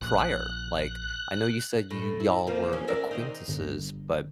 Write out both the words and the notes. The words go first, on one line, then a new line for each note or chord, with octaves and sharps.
prior? Like, I know you said y you y'all were acquaintances, but,
A#1 F#6
A2
E4
F3 A#3
C#4
D4 A#4 E5
D#3 G#3 D#4
G1